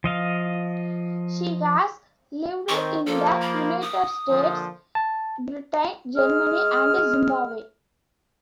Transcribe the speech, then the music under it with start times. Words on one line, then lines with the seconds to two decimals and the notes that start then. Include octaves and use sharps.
She has lived in the United States, Britain, Germany, and Zimbabwe.
0.04 F3 D#5 F5
2.68 D#3 C4 C#6
3.06 F3 A#3 A4
3.41 B5
3.82 D#6
4.28 A#2 D3 F3
4.95 A5
6.16 G#3 G#4 F6